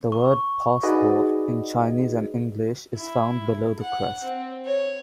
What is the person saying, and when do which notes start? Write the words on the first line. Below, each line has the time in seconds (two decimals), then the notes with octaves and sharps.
The word "Passport" in Chinese and English is found below the crest.
0.12 C#6
0.83 D#4 F#4 G#4 B4 D5 D#5
2.95 E4
3.81 F#5
4.23 C4
4.65 C#5